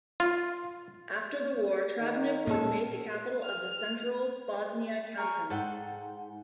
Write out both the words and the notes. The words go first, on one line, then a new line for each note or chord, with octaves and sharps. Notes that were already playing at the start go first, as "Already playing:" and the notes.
After the war, Travnik was made the capital of the Central Bosnia Canton.
F4
D#3
A#2 C#4 A4
F6
G#4 A#4 C#6
G#2 A4 F#5 G5